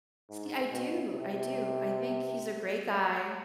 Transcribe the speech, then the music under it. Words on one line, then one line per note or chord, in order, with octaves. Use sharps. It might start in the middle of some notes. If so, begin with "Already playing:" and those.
See, I do, I do. I think he's a great guy
G#2
B2
C3